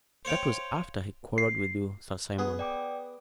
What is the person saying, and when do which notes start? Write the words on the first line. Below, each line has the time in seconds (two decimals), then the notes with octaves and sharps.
That was after he quarrelled with you, Sir Simon.
0.25 C5 C#5 F5 G5
1.38 C7
2.39 B3 G#4
2.59 D5 G5 D6